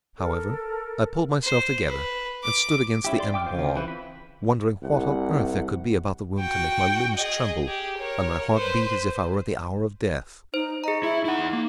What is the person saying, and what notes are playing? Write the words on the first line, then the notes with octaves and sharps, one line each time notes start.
However, I pulled myself together, and stood against the end wall, wondering what on earth there could be about the room to make my limbs tremble, and my heart beat as if I were at the hour of death.
A4 A#4
C5
B4
D6
C#4 E4 G4
D5 C6
G5 D6 E6 F6
C#3 A3 F4 C5
E3 C4 B4
B5
C2 F#5
F#4 G5
G#4 D#5
G4 G#4
A#4 C#5
B4 C5
D#4 C5
G#4 D#5 A#5
E4 E5
D#4 E4 F#5
A#3